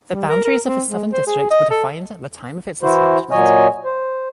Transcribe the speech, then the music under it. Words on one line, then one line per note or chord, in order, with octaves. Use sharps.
The boundaries of the Southern District were defined at the time of its establishment.
G3
A#4
A#4
C4
G#3
C5
G#4
D#5
A4
E3 E4 F#4 C5
A#2 F#3 C#5 D#5 G#5
C5